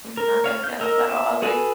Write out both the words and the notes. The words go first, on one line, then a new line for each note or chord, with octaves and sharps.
I'm not gonna get up at all, like,
A#4
C#5 F5
G6
A#4 D#5 E6
E5
F#4 G#4 A4 B4 G#5